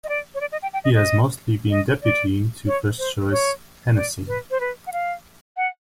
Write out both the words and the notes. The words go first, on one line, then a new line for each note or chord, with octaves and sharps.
He has mostly been deputy to first-choice Hennessey.
D#5
D5
C#5
D5
D#5
G5
G5
D#5
D#5
D#5
D5
C#5
C5
C#5
D5
B4
C5
B4
F#5
F5
F#5